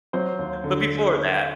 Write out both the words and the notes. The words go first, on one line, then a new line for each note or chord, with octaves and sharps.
but before that,
F#3 C5
D#2
D3